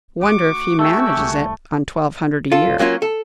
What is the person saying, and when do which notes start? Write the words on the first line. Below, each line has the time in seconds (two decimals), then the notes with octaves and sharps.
"Wonder if he manages it on twelve hundred a year?"
0.21 D2 F#4 C#6 D6
0.79 A3 F#4 G4 G#5 C#6 E6
1.17 C2
2.52 F4 A4
2.79 F#3 A#3 C#4 F4
3.02 A4